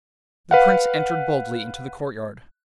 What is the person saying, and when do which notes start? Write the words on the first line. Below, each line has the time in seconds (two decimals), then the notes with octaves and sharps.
The Prince entered boldly into the courtyard.
0.51 B4 F5 F#5